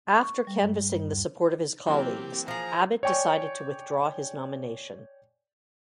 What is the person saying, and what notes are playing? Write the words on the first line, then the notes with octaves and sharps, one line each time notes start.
After canvassing the support of his colleagues, Abbott decided to withdraw his nomination.
C#6
G3
G2
G2
D#2
E3 F#3 A#3 C4 G4
F3 G#4 A#5
C#5 D5 G5 G#5 C#6